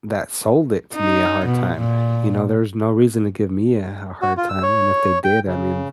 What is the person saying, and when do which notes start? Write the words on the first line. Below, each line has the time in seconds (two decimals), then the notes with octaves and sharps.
that sold it to me a hard time. You know, there was no reason to give me a a hard time, and if they did, I mean
0.95 D#4
1.46 B2
1.76 A#2
4.22 F#4
4.37 F4
4.49 E6
4.63 C#5
5.24 G5
5.48 C#3